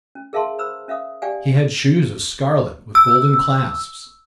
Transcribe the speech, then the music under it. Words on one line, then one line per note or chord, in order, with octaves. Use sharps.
He had shoes of scarlet with golden clasps.
C#4
G#4 A#4 E5 F5 A5 C6
B4 C5 A#5 B5 E6
C#4 E5 F5 D#6
G4 D5 F5 G5 G#5
E6